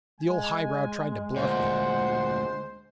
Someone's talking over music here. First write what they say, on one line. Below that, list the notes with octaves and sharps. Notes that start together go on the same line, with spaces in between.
'The old high-brow tried to bluff me.
G#3 G#5
D2 A#2 C5 F#5